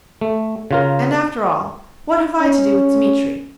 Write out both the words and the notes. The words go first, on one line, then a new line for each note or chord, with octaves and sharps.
And after all, what have I to do with Dmitri?
A3
C#3 F4 A#4
C#4